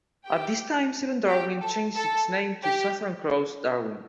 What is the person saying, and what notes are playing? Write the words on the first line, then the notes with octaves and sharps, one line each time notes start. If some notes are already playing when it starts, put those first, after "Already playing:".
At this time, "Seven Darwin" changed its name to "Southern Cross Darwin".
G4 G5
G4 G5
A4
A4
G4